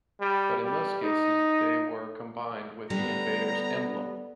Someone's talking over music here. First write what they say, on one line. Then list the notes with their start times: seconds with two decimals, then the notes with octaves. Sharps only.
But in most cases they were combined with the invader's emblem.
0.20 G3
0.64 G3
1.03 D#4
2.90 D3 G3 B3 A#5